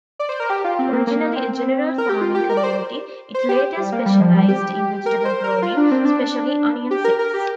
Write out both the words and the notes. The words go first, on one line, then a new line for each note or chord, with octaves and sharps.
Originally a general farming community, it later specialized in vegetable growing, especially onion sets.
D5
C5
A#4
G4
F4
C4
A#3
A#3
C4
A#4
G4
F4
G4
A#4
D5
C5
C5
G4
G3
A#3
G3
F3
G3
G4
A#4
C5
A#4
F4
D4
C4
D4
G4
A#4
A#4
G4